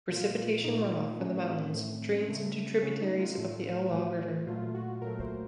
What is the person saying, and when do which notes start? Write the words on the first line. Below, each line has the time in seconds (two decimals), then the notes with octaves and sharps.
Precipitation runoff from the mountain drains into tributaries of the Elwha River.
0.09 A#2 F3 A3 F4
0.64 A#2 F3 A3 D#4
1.19 A2 A3 C#4
1.46 C4
1.74 A2 A3
2.28 C#3 A3
2.82 C#3 A3 C#4
3.01 D#4
3.19 F4
3.37 A2 F3 A3
3.92 A2 F3 A3
4.47 A#2 F#3 A3 F4
4.75 F#4
5.02 A#2 F#3 A3 A#4
5.20 C5